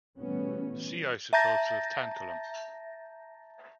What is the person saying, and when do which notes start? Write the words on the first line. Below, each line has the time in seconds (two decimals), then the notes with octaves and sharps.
See isotopes of tantalum.
0.20 B2 E3 G3 A3 B3 C#4
1.33 E5 A5 A#5 G6 A6 A#6